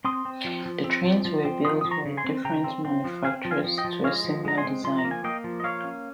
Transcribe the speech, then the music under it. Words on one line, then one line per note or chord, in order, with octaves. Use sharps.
The trains were built by different manufacturers to a similar design.
C4 C6 D#6
C4
F3
F3
C4
F3
F3
C4
F3 C6 D#6
F3 D#6
A#5 C#6
C#3
G#5 C6
C4
C#3 G5 A#5
C4
C4
F3
C4 F5 G#5
F3
F5 G#5
F3
D#5 G5
F3
G#3 C#5 F5
F3
G#3 A#5
G#5 C6
C4
F3 C6
A#5
A#3
G#5
A#3 D#5 G5
F3
D#5
A#3 C#5 F5
C#4